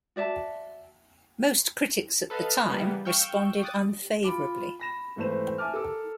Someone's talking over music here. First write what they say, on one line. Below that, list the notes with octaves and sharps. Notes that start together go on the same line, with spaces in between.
Most critics at the time responded unfavorably.
F#4 D5 E5 A5
A4 B4 D#5 F5
C#3 E3 G3 A#3 B3
F5 G5 C#6 E6 F6 G6
D6 D#6 F#6 A6
F4 B5 D6 D7
B5 A#6 E7
G#1 E3 A3 B4 C5 E7
E5 G#5 A5 D6 F6
A4 A#4 D6 E6